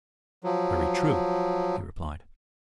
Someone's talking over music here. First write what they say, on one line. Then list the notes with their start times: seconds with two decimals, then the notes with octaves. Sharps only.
"Very true," he replied.
0.44 F3 F#3